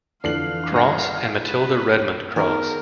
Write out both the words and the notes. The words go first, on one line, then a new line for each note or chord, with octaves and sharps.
Cross and Matilda Redmond Cross.
F2 D3 E3 D4 F5 C7 F#7
G1 D#5 F#5 D#6 A#6
B4
D#3 B3 G#4 A#4